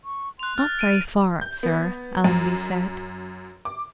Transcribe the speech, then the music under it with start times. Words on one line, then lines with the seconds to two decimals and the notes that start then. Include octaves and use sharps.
"Not very far, sir," Allenby said.
0.04 C#6
0.39 C6 F#6 F7
0.58 F6 A6
0.79 D7 D#7
1.41 G6
1.63 B3
2.24 F#2
3.65 D6